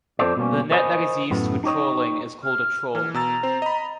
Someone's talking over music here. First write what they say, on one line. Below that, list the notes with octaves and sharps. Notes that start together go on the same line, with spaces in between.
The net that is used for trawling is called a trawl.
F2 F3 C4 A4 C5 D5
B2 G3 A#3 C#4
A#4 C5 C#5 D#5 G#5 B5
F#2 A2 B3
D#4 G4 C#5 D#5
F6
E3 F6
B2 A#5 E6 A6
C4 C5
D#5 B5